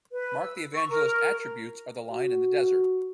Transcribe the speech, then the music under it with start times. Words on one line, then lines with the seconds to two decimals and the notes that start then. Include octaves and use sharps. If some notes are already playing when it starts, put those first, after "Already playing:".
Mark the Evangelist attributes are the Lion in the desert.
0.13 B4
0.39 E6
0.74 C#6
0.88 A#4
2.11 F#4